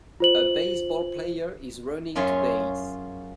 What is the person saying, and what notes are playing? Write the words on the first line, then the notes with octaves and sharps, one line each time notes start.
A baseball player is running to base.
F4 C5 F#7
F#2 C#4 F4 G#4 C#5 E5